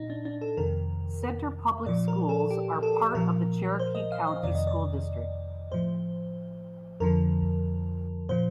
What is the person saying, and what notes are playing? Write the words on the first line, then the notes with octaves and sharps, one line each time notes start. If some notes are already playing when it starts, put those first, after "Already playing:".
Centre Public Schools are part of the Cherokee County School District.
Already playing: A#2 D#4
D4
D4
A4
F2 C3 D#3 A#4
A#2 F3 D5
A#4
A4
G4
A4
A#2 F3 A#4
C5
D#5
F5
D#5
F2 C3 D#3 D5
D#5
D5
A2 F3 C5
F2 D3 F3 A#4
A#2 F3 C5